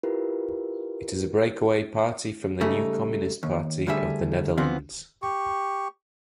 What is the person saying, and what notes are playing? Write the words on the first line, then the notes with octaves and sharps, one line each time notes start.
It is a break-away party from the New Communist Party of the Netherlands.
E4 F4 G4 A#4 B4
C#3 G3 A3 D#4
D#2
D2 D3 G3 G#4 E5
D3 E3 F3 B3 C4
G4 C#6